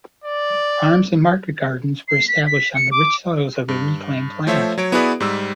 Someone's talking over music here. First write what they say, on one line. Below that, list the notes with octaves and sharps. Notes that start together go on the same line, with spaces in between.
Farms and market gardens were established on the rich soils of the reclaimed land.
D5
C7
B6
B6
C#7
D6
G2
F3 A3 C5 C#5 E5
F#3 C#5 D7
B3 E4 F#4 G#4 B4 D5
G#2 G3 E6